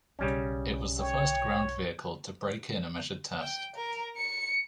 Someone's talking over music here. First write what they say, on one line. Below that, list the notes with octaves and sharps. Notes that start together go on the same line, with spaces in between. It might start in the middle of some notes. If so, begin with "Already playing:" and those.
It was the first ground vehicle to break in a measured test.
B1 C#3 G3 C#4
C#5 G5
G5
A#4
C#7